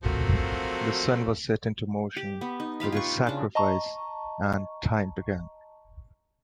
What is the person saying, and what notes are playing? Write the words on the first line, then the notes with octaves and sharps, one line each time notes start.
The sun was set into motion with his sacrifice and time began.
F3 F#3 A3 A#3 C4 F#4
G4
B3
D#4
F4 G4 F5 B5
F4 B4 C#6
C#3 D4
D#5 A5 A#5 C#6